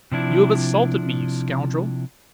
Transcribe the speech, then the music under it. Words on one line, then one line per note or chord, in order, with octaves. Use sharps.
"You have assaulted me, you scoundrel!"
C3 F3 D4 E4